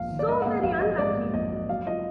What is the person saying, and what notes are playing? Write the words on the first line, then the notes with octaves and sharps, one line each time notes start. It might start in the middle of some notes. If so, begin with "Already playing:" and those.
So very unlucky!
Already playing: A#1 G#2 G#3 F5
D#3
D5
G#2 D#5
F#5
A#3 F5
A#1 F5
F#3 D#5
G#2 D5
A#3
A#1 D#5
F#3
F#3 F5
F4 D#5